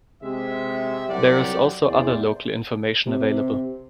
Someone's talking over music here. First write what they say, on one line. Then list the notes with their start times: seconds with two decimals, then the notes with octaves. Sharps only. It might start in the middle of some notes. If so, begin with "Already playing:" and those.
There is also other local information available.
0.24 C3 G#3 E5
1.09 C2 F#3 G4 C5 D5 F#5
1.86 E2 C5 D5
3.06 C3